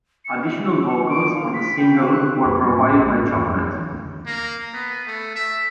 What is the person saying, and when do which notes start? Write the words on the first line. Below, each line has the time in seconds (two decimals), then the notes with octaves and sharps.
Additional vocals for the single were provided by Chocolette.
0.25 C#7
0.45 E5
0.64 D6
0.89 C#7
1.09 D7
1.35 F5
1.53 B6
1.78 G5
1.94 F5
2.11 F#6
2.45 F#2
2.58 G3
2.76 A2
2.91 A#1
3.04 G#3
3.23 G#2
3.35 E2
3.47 F2
3.61 C4
3.77 E3
3.89 D2
4.26 A#3
4.74 B3
5.07 A3
5.35 E5